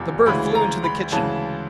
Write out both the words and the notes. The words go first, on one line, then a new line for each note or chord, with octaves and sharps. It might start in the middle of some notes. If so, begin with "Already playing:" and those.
The bird flew into the kitchen.
Already playing: F1 E2 F3
D2 C#3 E3 G#3 B5
A#5
B5
D2 C#3 E3 G#3 A5